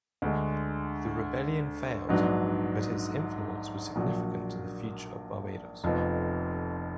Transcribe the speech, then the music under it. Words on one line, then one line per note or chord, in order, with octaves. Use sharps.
The rebellion failed but its influence was significant to the future of Barbados.
D2 D3 G#3
A#1 G#2 F#3 B3 D4
A#1 A#2 F#3
F1 F2 F3 B3